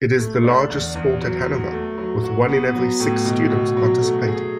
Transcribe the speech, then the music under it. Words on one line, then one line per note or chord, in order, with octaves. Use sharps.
It is the largest sport at Hanover, with one in every six students participating.
A3
D4
E2
E2
F#3
F#3
A3
F#3
F#4
B3
F#3
A2
B2
B2
F#3
A3
G#4